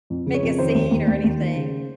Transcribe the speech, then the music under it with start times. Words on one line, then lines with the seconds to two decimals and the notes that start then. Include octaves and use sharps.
Make a scene or anything.
0.10 F2
0.26 C#3
0.34 C#5
0.43 F2
0.58 D#3 C5
0.75 D#2
0.91 D#2
1.08 D#2
1.24 D#2
1.40 D#3
1.56 C#3